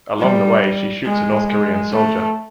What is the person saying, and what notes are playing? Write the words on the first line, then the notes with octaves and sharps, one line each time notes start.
Along the way, she shoots a North Korean soldier.
G3
G#3
G#3
A3